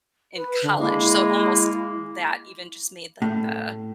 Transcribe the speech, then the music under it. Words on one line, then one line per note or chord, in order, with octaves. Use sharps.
in college, so almost that even just made like the
B4
D3
G#3 A#3 E4
A2